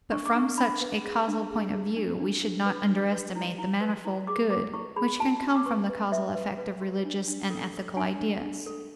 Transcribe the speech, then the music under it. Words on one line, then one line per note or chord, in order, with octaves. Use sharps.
But from such a causal point of view, we should not underestimate the manifold good which can come from the causal effect of religious and ethical ideas.
D4 C#6
D6
D4 C#6
D4 B5
B4
G#4
D4
G#4
G#4
D4
D4
D4
B4
D4
B4
E4
E4
B4
E4
G#4 D6
B4 D6
E4 C#6
G#4 B5
F#4 A5
F#4
D6
B4 C#6
B4
B4 E5
B4
B4
F#4
D4
D4
A4
A4
D4 G#5
D4
D4
A4